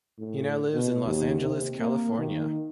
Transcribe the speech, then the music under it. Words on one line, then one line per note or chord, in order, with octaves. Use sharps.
He now lives in Los Angeles, California.
A2
B2
D#2
C3
A#3
D#3